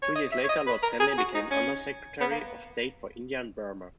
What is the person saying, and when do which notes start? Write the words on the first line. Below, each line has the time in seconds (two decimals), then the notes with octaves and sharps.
Two years later, Lord Stanley became Under-Secretary of State for India and Burma.
0.02 C#5
0.15 D#5
0.32 E5
0.43 C#5
0.49 D#5
0.67 B4
0.83 A#4
1.00 G#4
1.18 F#4
1.35 D#4
1.51 C#4
2.20 B3
2.31 A#3